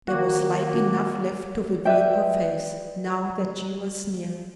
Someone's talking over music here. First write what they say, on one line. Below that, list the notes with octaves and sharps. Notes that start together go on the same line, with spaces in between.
There was light enough left to reveal her face, now that she was near.
D#3 A#3 F#4
B4 D5 E5 G5